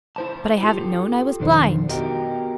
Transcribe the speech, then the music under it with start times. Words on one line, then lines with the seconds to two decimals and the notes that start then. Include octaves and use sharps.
"But I haven't known I was blind!"
0.16 E4 C5 A5
0.64 F4 G4 A4
1.40 B1 F2 D#3 D4 C5
1.89 B3 F#4 G4 A#4 D#5 G5